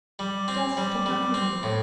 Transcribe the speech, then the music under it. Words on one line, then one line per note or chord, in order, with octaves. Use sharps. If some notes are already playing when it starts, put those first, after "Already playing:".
Just to comfort me.
G3
C4
G3
G3
C4
A2